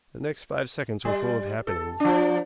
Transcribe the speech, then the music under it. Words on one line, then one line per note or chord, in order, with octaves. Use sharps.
The next five seconds were full of happenings.
G3
A4
F3 D4